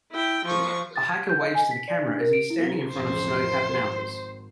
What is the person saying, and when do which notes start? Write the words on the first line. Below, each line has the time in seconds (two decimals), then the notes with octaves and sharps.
A hiker waves to the camera as he standing in front of snowcapped mountains.
0.12 E4 G5
0.45 F3 C#6
0.96 A6
1.09 G#6
1.29 G6
1.41 D#5
1.55 G#5
1.71 B6
1.88 D5
2.08 D4
2.20 A#4
2.33 D7
2.50 E4
2.94 A1 F2 C5
3.78 G#1